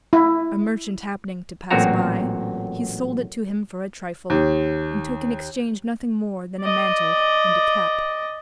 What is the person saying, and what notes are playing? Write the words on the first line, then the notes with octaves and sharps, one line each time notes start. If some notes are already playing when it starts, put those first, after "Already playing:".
A Merchant happening to pass by, he sold it to him for a Trifle, and took in Exchange nothing more than a Mantle, and a Cap.
E4
A1 A#2 F#3 C4 F#4 A#5
D#2
D5 D#5